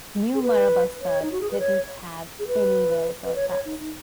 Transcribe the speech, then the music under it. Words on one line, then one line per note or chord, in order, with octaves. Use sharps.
New Marabastad didn't have any wells or taps.
G#4
B4
C#5
D#4
F#4
G#4
B4
C#5
G#4
B4
B4
C#5
C#5
D#4
D#4